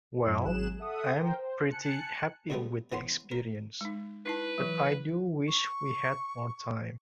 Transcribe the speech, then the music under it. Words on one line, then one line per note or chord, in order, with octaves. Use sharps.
Well, I am pretty happy with the experience, but I do wish we had more time.
F#2 E4
G#1 F#3 G#4 F#6 E7
A4 E5 F#5 D#6
A#4 C5 G5
C5
G#5 A5 F#6 C#7
A#2 C#3 F#3 G3 A3 B3
E3 B3 C#4 F#5 C6
A#4
G#3 D#4
D#4 E4 B4 A5
E3 F#3
C#6